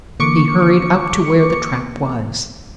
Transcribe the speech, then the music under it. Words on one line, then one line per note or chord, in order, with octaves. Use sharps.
He hurried up to where the trap was.
D3 E3 A#3 C#6 D6 C#7